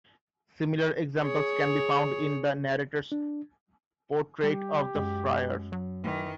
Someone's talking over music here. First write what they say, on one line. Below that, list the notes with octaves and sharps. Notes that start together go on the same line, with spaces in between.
Similar examples can be found in the narrator's portrait of the friar.
G#4 C#5
D4
G3 G4
F#2 G#3 B6
F#3
D#3 E3